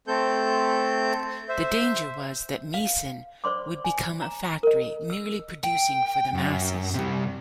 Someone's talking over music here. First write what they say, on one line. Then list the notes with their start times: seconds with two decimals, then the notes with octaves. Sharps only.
The danger was that Meissen would become a factory merely producing for the masses.
0.08 A3 C4 A4 G6
1.49 C5 E5
2.74 F5
3.44 C5 D5 C6 D6
3.85 G#5
4.22 A#5
4.63 A#4 D#5
5.10 E6
5.64 G5
6.34 F#2
6.94 C3 G3